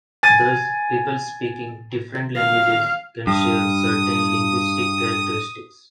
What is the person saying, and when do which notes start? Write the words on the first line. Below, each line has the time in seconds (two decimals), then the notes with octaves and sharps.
Thus people speaking different languages can share certain linguistic characteristics.
0.23 G#5 A6 D#7
2.36 F5
3.27 G2 D#6